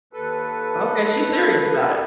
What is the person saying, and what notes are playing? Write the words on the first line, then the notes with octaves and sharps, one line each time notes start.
Okay, she's serious about it.
D#2 A4 B4